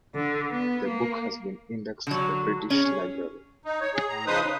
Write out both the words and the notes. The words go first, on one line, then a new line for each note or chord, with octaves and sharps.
The book has been indexed The British Library.
D3
B3
A#3
D3 F#3
C#4 G#4
D#4
C#5
G#4
A2 A#5
C#3 F3 D#4 B4 C5 D#6
C#3